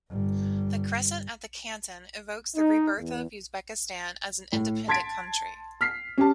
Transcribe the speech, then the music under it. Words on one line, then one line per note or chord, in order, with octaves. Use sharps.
The crescent at the canton evokes "the rebirth of" Uzbekistan as an "independent" country.
G1 G3
D#4
E2
A2
A5 C6 G#6 A6 B6 D7
F6 B6 C7
C#4 G4 A5